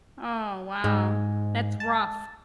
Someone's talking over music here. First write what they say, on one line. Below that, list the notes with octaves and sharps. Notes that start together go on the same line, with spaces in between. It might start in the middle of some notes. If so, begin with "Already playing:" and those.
Oh, wow, that's rough.
G#2 G#3
A5